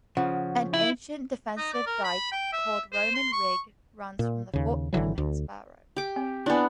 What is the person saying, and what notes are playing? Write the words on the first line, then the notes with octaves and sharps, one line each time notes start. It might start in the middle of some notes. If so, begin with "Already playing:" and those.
An ancient defensive dyke called Roman Rig runs from the fort to Mexborough.
C#3 F3 F#5
E4
D#4
D5
A#4
B5
G5
E5
C5
C6
C#6
A#2
D#2 C#3
G#1 D3 E3 F#3
D2
G4 D6
C4
B3 D4 E4 D5 G#5